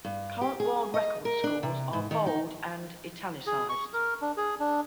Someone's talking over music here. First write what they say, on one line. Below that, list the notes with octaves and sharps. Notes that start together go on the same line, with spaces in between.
Current world record scores are bold and "italicized".
G2
G4
G#4
D#5
A#4
D4
C3
G#2
D#3
D#4
G#4
C#6
A#4
D4
G#4
D4